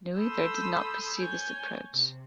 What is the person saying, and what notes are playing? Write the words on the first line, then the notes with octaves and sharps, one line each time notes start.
Noether did not pursue this approach.
A4 B5 C6 D#6 E6 G6
C#5 G#5 G6
C3